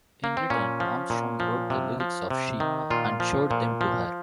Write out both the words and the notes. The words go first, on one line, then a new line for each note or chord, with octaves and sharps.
In return, Armstrong wrote the lyrics of "She" and showed them to her.
A#3
C4
A#2 C#4
F3
A#2
F3
C3
F3
C3
D#3
A#2 F4
F3
A#2
F3